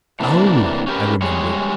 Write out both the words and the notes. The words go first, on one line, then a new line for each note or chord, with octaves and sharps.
"Oh!" I remembered.
A2 C3 E3 A#3 D4
C#4 G4 A#4 B4
G3 G#3 G#4 C#5